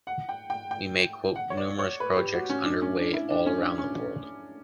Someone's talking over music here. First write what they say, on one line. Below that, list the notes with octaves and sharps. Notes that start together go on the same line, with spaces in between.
We may quote numerous projects under way all around the world.
F#5
G5
G5
G5
F#5
C#5
D5
C#5
B4
G4
F#4
C#4
D4
C#4
D4
E4
D4
C#4
D4
C#4